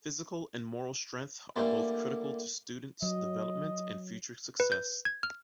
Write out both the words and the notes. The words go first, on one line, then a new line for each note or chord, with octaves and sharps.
Physical and moral strength are both critical to students' development and future success.
D3 E3 G3 A3 A#3
F#3 D#5
B4
G6
G#6
F6